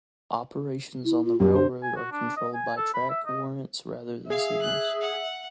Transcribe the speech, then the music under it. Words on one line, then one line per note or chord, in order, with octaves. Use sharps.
Operations on the railroad are controlled by track warrants rather than signals.
E4
F4
F#2 G4
D3 C5
G#5
F#4
D4
D#5
G#5
A4
B5
E5
D#5
G#4 E5 F5
F#6
F#5